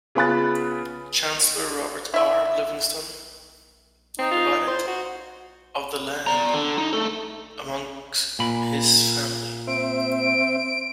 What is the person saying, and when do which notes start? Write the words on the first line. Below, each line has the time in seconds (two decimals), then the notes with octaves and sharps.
Chancellor Robert R. Livingston divided of the land among his family.
0.15 C#3 B3 F4 B5 F#6 A6
2.14 E4 E5
4.19 C4 D#4
4.31 F4
4.68 C5
4.87 F#4
6.27 D5 A#5
6.54 D3
6.78 D#4
6.93 A3 A4
8.39 A#2 B5
9.67 C4 C5 E5 D7